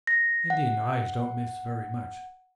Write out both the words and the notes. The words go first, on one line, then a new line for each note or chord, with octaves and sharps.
Indian eyes don't miss very much.
A#6
F#5